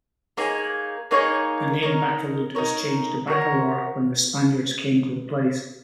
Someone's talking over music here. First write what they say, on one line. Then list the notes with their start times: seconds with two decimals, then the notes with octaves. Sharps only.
The name Baculud was changed to Bacolor when the Spaniards came to the place.
0.37 A#3 D#4 G#4 C#5
1.11 A#3 D#4 G#4 C#5
1.83 D#4 A#4 C#5
2.55 D#4 A#4 C#5
3.27 F#4 A#4 C#5